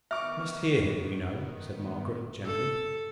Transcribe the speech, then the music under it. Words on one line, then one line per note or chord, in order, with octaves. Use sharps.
"I must hear him, you know," said Margaret, gently.
D#3 B3 E5 C#6 D6 F6
A4